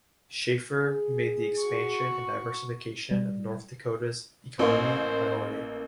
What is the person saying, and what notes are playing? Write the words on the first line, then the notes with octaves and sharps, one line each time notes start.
Schafer made the expansion and diversification of North Dakota's economy a priority.
G#4
F#4 C#6
G3
A1 A#3 C5